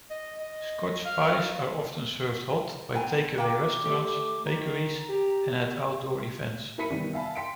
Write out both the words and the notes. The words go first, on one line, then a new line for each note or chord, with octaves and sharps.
Scotch pies are often served hot by take-away restaurants, bakeries and at outdoor events.
D#5
D#5
F5
B3 G5 G#5 A#5
A#3 G5 D6
A3 G4
D#3 A#5
G4
E4 A#4 B5 B6 C#7 D#7
C3 D#3 E3 G3 B3
E5 F5 G#5 A5 B5
G5 C6 B6 C#7 D7